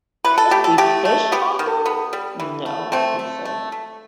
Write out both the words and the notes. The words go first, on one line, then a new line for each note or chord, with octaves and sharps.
Crispy fish taco? No, I don't think so.
E3 B4
A4
A3 G4
A4
A3 G4
A3
B3 G4
D#3
B3
G3
E3
A3
A3 C4
A3
A3
A3